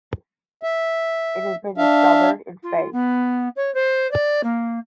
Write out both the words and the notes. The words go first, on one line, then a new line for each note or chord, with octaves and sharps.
It has been discovered in space.
E5
D4 E5 F5
F4
B3
C#5
C5
D5
A#3